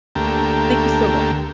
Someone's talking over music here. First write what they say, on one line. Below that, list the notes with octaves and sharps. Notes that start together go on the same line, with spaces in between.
Thank you so much.
D2 A3 A#3 G4